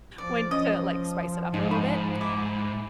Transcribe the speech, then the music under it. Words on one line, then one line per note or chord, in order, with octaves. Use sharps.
when to, like, spice it up a little bit.
F3 D5
F3 C#4 D#5
G#2 D#4
D#4 B5
E4 D6